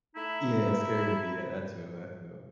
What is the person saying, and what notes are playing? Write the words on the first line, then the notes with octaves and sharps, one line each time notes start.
Yeah, scary movie, yeah, that too that too.
A3 D#4 E4